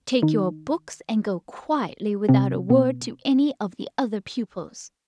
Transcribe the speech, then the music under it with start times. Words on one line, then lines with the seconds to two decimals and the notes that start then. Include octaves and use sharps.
Take your books and go quietly without a word to any of the other pupils.
0.22 D#3 D#4
2.29 C3 C4
2.70 B2 B3